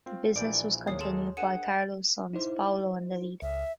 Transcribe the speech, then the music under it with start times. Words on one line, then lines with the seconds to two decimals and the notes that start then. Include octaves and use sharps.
The business was continued by Carlo's sons Paolo and Davide.
0.06 C4 F4
0.36 A#1 A#2 E3 D5 G6 D7
0.87 D#2 C#5 D#6 C7
1.01 G#3 A#3 G#4 A4 C6 E7
1.37 D4 G#4 A#4 F#5 G5 C#7 D#7 E7
2.33 D#4 E4 C5
3.42 C#2 E5